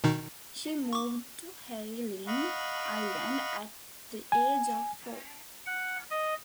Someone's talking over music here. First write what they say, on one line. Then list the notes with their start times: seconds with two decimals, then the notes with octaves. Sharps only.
She moved to Hayling Island at the age of four.
0.04 B2 D#3 D#4
0.93 C#6 D6
2.27 D#5 F5 F#5 B5 C#6
4.32 G#5
5.66 F#5
6.11 D#5